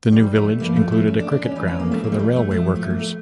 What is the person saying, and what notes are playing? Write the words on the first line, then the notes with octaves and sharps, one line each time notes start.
The new village included a cricket ground for the railway workers.
G3
A3
G2 F3 A#3
A3
A3
C#4
D4
D4
C#4
F2 E3 A3
C#4
A#3
A3
A#3
G3
A3
A3
A2 F3 A3
A3
A#3
A3